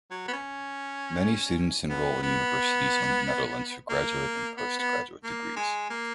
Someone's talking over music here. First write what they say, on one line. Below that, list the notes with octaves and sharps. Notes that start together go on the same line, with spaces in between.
Many students enroll in universities in the Netherlands for graduate and postgraduate degrees.
F#3
B3
C#4
B3
B3
A#3
B3
B3
A#3
G#3
A#3